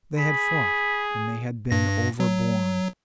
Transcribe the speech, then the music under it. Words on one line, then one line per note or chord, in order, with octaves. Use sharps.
They had fought and they had been overborne.
G#4 B5
G2 A#6
F#3